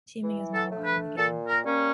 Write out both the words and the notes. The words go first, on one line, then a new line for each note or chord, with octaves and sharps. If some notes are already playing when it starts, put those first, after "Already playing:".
Teaming is not allowed in the game.
E3
A4
A3 D4
B4
A#2 A4
A#4
G3 A#3 C#4